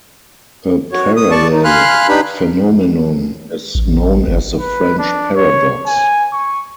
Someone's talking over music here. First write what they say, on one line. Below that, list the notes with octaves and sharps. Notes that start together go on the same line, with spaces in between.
A parallel phenomenon is known as the French Paradox.
F#4 C#5
D#6
D5 A5 C#6
D#4
F5 G#5 B5 C6 F6 F#6
D4 D#4 G4 B4 B5
A1
G1
B4
D4
C#5
G#5
C#6